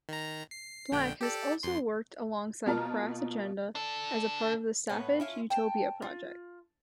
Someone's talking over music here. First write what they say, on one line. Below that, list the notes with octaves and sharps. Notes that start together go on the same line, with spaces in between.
Black has also worked alongside Crass Agenda as part of the "Savage Utopia" project.
D#3 A#5
C7
A#1 D3 G5
G4 A4 D5
F2 C6
B2 A#3 F4 A5 A#5 F6
D4 A4
A2 B3 B4 C#5
C#4 E4 F4
G5 A5
F4